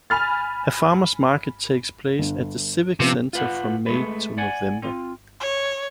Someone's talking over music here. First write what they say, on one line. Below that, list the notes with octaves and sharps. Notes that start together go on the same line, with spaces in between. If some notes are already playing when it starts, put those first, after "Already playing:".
A farmer's market takes place at the Civic Centre from May to November.
G#5 B5 F6 A6
G1
C3 F3 B3 C#4
F4 B4 F#5
G#3 A3 B4
D5 F#5 G#5
C4 F4
C#5